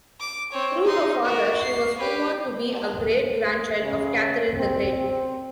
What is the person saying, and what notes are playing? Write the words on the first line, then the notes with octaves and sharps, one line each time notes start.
Through her father she was rumoured to be a great-grandchild of Catherine the Great.
D6
C4 C#5
D#4 C6
F#4 A#4
C7
G4 B4
C#3
C4
C4